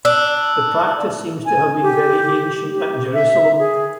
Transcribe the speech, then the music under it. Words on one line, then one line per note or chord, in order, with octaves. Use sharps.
The practice seems to have been very ancient at Jerusalem.
D4 E6
G#5
G4
G4
E5
G#4